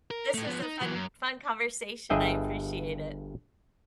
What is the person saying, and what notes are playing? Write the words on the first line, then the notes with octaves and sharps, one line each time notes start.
This is a fun fun conversation, I appreciate it.
A#4
A2 A3
F3 B3
D#4
E3 F#3
F#2
G1 G2 G#4 D#5 E5 G5